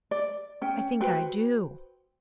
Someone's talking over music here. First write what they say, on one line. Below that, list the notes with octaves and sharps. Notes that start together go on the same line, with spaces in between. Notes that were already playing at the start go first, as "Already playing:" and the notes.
"I think I do."
D5
C#4 G5
F#4 B4 C5 G5